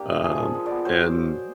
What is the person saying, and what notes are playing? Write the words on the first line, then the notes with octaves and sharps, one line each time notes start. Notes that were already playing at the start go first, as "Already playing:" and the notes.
um, and
Already playing: A#3 D4 G4
F4
F3 G#4
F3
G#3
B3 D5
F#3 C5
F#3